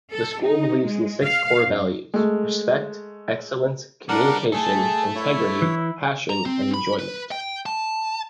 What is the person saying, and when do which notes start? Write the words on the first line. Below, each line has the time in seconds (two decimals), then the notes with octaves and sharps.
The school believes in six core values: respect, excellence, communication, integrity, passion and enjoyment.
0.13 A4
0.43 D#4
0.84 G#3
1.23 F5
1.64 F#2
2.14 G#3 A3
4.09 G3 D4 A#4 D5 F#5
4.52 A3 G#4 A4 A5
5.15 E4 C#5
5.62 E3
6.30 A#5
6.46 C4
6.74 B5
6.99 B4
7.31 G5
7.66 A5